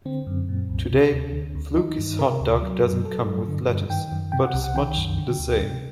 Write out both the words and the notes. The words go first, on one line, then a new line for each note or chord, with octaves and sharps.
Today, Fluky's hot dog doesn't come with lettuce, but is much the same.
D3 C4
F#2
A#2
C2
C3
D2
D3
D2
D#3 D#4
G2
C3 A#4
D2
F#3
F#2
F#3 A4
G2
D3
G2
D#3 G5
F#2
C3 G5
F#5
C2
F#5
D#3 G5
F#2
D3
D2
C3